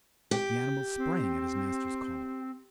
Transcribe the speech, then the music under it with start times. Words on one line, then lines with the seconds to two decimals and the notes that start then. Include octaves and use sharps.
The animal sprang at his master's call.
0.31 G4
0.97 C4